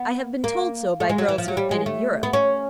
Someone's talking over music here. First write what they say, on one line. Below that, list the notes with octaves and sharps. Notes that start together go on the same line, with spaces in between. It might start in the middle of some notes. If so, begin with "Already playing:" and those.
I have been told so by girls who have been in Europe.
Already playing: B3
A#3
A3
G#3
F#3
E3
F3
F#3
G3
G#3
A3
B3
C#4